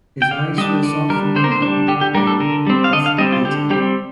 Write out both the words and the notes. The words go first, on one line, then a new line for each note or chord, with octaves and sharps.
His eyes were softened now by a look of pity.
G5
D3 F5
G3 D4 D#5
D3 D5
G3 D4 A#4
D3 C5
A#4
C5
G3 D4
D3 G4
G4
G3 D4 A#4
A4
D3 A#4
G3 C4
F5
D3 D#5
F5
G3 C4 D#5
F4
D3 G4
G3 C4 G4